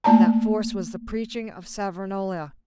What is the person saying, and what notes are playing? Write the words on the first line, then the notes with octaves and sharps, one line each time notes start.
That force was the preaching of Savonarola.
A3 A#3 D5 A5 A#5